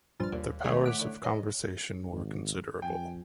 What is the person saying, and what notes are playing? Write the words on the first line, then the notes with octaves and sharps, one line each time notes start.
Their powers of conversation were considerable.
A#1 G2 F3 F6 A6
D#2 A#2
C3 D#3 G#3 A3 C#4 C#5
F#5 D6 B6
D3 E4
C#4 D#5
G#1
F2 G5 G#5